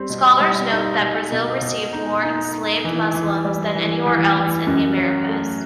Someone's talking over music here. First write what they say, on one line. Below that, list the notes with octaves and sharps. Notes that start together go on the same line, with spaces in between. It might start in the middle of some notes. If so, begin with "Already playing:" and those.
Scholars note that Brazil received more enslaved Muslims than anywhere else in the Americas.
Already playing: G3 C4
B2
G3
D#4
B2
B2
B2
D#4
D#4
D#4
E3
E3
G3
E3
E3
E3
F#2
F#3
A3